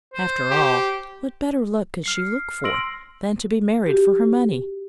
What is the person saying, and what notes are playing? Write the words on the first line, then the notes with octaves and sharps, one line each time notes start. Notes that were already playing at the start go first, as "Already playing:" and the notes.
After all, what better luck could she look for than to be married for her money?
C5
G4
F6 C7 C#7
C6 E6 A#6 D7 F#7
F#4 G4